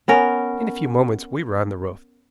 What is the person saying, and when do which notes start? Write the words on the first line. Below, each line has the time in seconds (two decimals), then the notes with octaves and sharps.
In a few moments we were on the roof.
0.08 B3 C#4 A#4